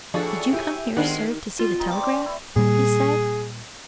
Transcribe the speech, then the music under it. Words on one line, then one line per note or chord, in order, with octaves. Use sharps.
"Did you come here, sir, to see the telegraph?" he said.
A2 F3 D4 F#4 G#4 A4
E4 G4 G#5
D#3 G#3 B3 C4 D4 F4 F#5
B2 F4
D#4 G5 C6
C5 D5 C#6 D6
E4
A#2 G3 G#4